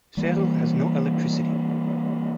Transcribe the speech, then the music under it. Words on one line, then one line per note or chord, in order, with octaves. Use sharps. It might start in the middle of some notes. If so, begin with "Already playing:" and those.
Seru has no electricity.
E3 G3 A#3